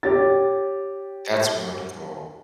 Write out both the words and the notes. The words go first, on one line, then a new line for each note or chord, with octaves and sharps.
That's wonderful.
G4 C#5 A6